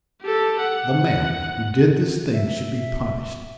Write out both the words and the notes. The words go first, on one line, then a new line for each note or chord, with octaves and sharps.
The man who did this thing should be punished.
G4 A4
F#5
E5